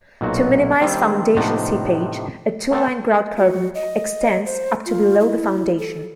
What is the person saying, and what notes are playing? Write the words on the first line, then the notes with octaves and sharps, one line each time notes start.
To minimize foundation seepage, a two-line grout curtain extends up to below the foundation.
B1 A#2 F#3 F#4
D#3 G3 A#3 C4 D4 C5
A2 C3 F3 B3 D4 D#4
A3 B3 C4 A4
F#4
D#5
C5
F4
E4
A4